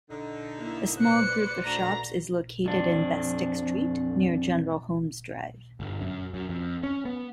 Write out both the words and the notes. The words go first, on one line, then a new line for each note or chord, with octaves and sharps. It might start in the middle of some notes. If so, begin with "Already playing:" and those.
A small group of shops is located in Bestic Street near General Holmes Drive.
D3 D#4
A#3 E4 E5
B4 C5 D5 F#6 C#7
A3 D4 F#4 A#5
F2 D4
G1
F#2
F#2
F2
C#4
B3